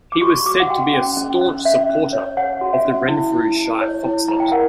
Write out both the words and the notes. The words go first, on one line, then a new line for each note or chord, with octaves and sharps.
He was said to be a staunch supporter of the Renfrewshire fox hunt.
D6
F#4 C#6
F#4 D6
F#5
F#4 G5
C#4 G5
C#4
C#4
C#4 E5
C#4
C#5
C#5 F#5
F#4
E5
C#4
E4
E4
E4
C#5
E4
E4 A#5
G5
A#4 F#5